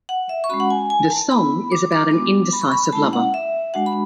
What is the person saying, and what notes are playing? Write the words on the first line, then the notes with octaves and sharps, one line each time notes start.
The song is about an indecisive lover.
F#5
E5
C#6
G#3 C#4 F#4 B5
F#5
G#5
G#5
A5
B3 E4 B5
D6
D6
G#3 B3 D4 F#4 D6
B5
C#6
B5
B5
G#3 C#4 E4 A5
F#5
E5
G#3 D4 F#4 F#5
B5